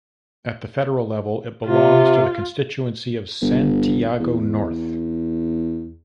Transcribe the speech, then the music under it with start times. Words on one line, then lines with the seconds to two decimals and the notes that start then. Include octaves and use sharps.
At the federal level, it belongs to the constituency of Santiago North.
1.66 C3 F4
3.42 G1
4.20 E2